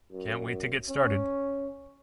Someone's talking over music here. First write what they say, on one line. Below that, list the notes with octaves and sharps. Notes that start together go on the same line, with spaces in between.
Can't wait to get started!'.
F#2
C#4